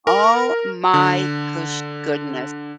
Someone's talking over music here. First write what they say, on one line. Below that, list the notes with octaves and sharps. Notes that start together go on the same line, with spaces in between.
Oh my goosh goodness,
A#4
D3